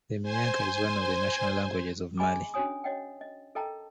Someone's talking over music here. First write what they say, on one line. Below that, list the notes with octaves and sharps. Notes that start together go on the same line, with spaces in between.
Minyanka is one of the national languages of Mali.
C5 G#5 C6
G#4 D#5 G#5 B5 C6 D6
C#4 D4 F#4 C#5 G#5 D#6
C#5 D#5 F#5 G5
D#5
A4 A#4 D#5 G5 A5 A#5